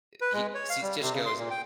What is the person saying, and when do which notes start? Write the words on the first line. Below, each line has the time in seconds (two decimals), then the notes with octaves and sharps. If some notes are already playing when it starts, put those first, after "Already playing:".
uh, he sees just goes
0.21 B4
0.33 G#3
0.55 C#5
0.70 F5
0.82 G3
1.01 C3
1.13 C#3
1.26 C6
1.38 A#2
1.50 G5